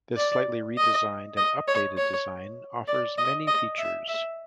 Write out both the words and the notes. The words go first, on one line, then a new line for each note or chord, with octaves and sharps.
This slightly redesigned and updated design offers many features.
D5
D#5
D#5
C#5
C#5
D5
D#5
D#5
E5
E5